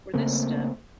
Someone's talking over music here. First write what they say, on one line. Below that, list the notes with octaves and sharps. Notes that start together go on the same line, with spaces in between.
For this step.
C#3 A3 A#3 C4